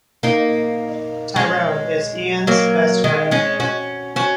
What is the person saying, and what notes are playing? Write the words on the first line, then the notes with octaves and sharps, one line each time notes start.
Tyrone is Ian's best friend.
A#3 D#4
G#3 C#4
F#3 A#3
D#3 G#3
G#3 C#4
C#4 F#4
C#4 F#4